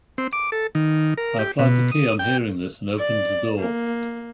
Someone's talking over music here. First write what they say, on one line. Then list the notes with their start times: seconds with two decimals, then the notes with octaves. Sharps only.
I applied the key on hearing this and opened the door.
0.18 C4
0.33 D6
0.52 A4
0.75 D#3
1.17 A#4
1.39 G4
1.59 B2
1.92 D#6
2.19 G5
2.98 D5
3.60 A#3